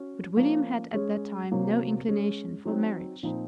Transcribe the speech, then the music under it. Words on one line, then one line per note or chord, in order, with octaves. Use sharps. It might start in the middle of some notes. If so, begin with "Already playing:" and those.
But William had at that time no inclination for marriage.
Already playing: C#4 F#4
F3 A#3 C#4
G#3 C#4 G#4 C#5
C3 F#3 A#3
G#3 C#4 G#4
F#3 C4 D#4
A#2 F3 C4 D#4